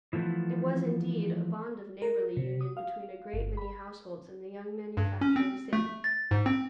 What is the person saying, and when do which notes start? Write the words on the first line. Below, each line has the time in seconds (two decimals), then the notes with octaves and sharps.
It was, indeed, a bond of neighborly union between a great many households in the young manufacturing city.
0.13 E3 F3 A3 B3
2.02 A#4
2.37 C3
2.61 D#6
2.77 F5
3.34 G1
3.57 B5
4.97 G2
5.21 C#4
5.36 C4
5.73 A3
6.04 A6
6.31 G#2
6.46 C4